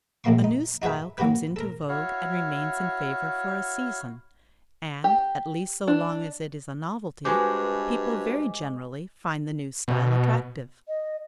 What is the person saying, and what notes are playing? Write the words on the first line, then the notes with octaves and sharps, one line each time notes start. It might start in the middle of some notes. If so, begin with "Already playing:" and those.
A new style comes into vogue and remains in favor for a season, and, at least so long as it is a novelty, people very generally find the new style attractive.
A#1 A2 F#3 A#3 C6 C#6
D#4
D#4 F#4 G#4 B4 E5
F#3 A#3 F#4 G4 B4
A4 A#4
E4 F#4 C#5 F5
G4
D4
G2 G#3 F#4 G#4 B4 C5 G#5 D6
B2
D#5